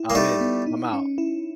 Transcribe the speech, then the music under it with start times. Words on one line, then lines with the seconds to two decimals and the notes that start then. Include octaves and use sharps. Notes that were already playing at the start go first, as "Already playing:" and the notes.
"I'm in. I'm out."
Already playing: E4
0.10 A#3
0.15 G3 A3 D#4
0.40 B3
0.66 D#4
0.93 C#4
1.18 E4